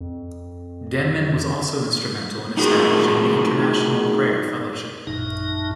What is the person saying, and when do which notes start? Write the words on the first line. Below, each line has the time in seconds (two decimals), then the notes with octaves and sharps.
Denman was also instrumental in establishing the International Prayer Fellowship.
0.01 F2
2.57 A3 D#4 F4 F#4 G#4 A#4
5.07 A1 F#2 A#2 D#4